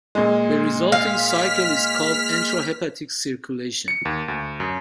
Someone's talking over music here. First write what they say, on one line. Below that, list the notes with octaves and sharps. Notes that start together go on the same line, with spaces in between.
The resulting cycle is called enterohepatic circulation.
A#2 G#3
F5 F6 B6
C#7
D#2
D2
F#2